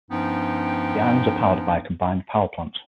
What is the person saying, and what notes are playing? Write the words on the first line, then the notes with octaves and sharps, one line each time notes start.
The islands are powered by a combined power plant.
G2 F3 B3 C#4 D#4 G5